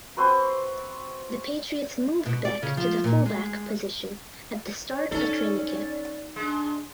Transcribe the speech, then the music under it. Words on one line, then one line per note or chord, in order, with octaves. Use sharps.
The Patriots moved Beck to the fullback position at the start of training camp.
C4 F#4 B4 C6
B2
D5
C#3
F3
A#2
G#3
C#5
C#4 D#4 A4 D5
G#3 D4